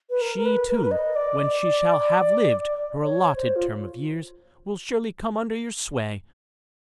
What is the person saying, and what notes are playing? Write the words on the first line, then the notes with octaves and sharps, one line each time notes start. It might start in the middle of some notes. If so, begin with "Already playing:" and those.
She too, when she shall have lived her allotted term of years, will surely come under your sway.
B4
A#4
A#4
B4
B4
A#4
B4
D#5
D5
C#5
C5
F4